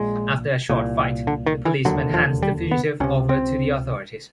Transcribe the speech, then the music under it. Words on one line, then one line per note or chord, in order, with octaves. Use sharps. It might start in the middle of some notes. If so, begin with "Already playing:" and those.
After a short fight, the policeman hands the fugitive over to the authorities.
Already playing: A#1 A#2 G#3
C2 A#2
D3
D#3
E3
E1 D#2 D3 F#3
F3
G3
B3
C#2 C3 C#4
C4